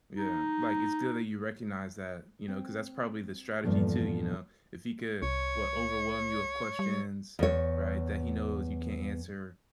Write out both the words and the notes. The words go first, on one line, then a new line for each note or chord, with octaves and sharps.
Yeah, like, it's good that you recognize that, you know, ‘cause that's probably the strategy too, you know, if he could, what, overwhelm you with questions, right, that he knows you can't answer
D#4
C4
E2 G2 A#2 F3 A3
C2 C#5
G3
E2 C#5